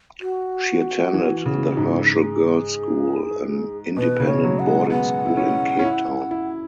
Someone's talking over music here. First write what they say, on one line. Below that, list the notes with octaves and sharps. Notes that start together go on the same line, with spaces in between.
She attended the Herschel Girls School, an independent boarding school in Cape Town.
F#4
E3
C#3
G#2
G#4
B2 B4
C#3
C#5
F#3
F#5
G#3
B3 F#5
E4
C#4
C#4
E4
E4